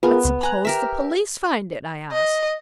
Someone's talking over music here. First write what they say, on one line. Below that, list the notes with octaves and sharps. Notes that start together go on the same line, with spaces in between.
"But suppose the police find it?" I asked.
B3 F4 G#4 A#4 B4
C#2
G#5 A#5 F#6
G4 A#4 E5
D#5